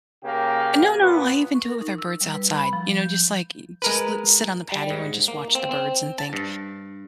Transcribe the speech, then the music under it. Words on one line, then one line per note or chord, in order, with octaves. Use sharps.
No, no, I even do it with our birds outside. You know, just like you just loo sit on the patio and just watch the birds and think.
C#3 A#3 G4
A#2 B3
C#6
A#4
D#4
E6
G3
B4
B5
F3
G6
G#3 A#4 B4
G3
G#2
A#3
C4
C4
A5
G2